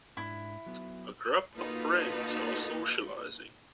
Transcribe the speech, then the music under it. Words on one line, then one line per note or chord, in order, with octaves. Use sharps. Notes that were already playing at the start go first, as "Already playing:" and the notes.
A group of friends are socializing.
G#2 D4 E4
F#3 B3
A#3 D#4 F4 F#4 A4 B4